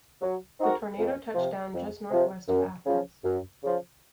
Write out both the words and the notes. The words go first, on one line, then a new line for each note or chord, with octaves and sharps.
The tornado touched down just northwest of Athens.
F#3
C4 D#4 F#4 A#4
F2
C3 F3
F2
C3 F3
F#2
C#3 F3
F#2
C#3 F3